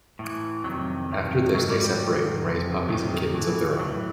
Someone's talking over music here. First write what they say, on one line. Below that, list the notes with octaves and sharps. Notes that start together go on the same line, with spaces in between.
After this, they separate and raise puppies and kittens of their own.
A2 E3
F2 C3 D#3 F#3
F2 C3 D#3
G#2 D#3 F#3
G3
G3
G#2 D#3
F2 C3
F2 C3 D#3 F#3
A2 E3
A2 E3 F#3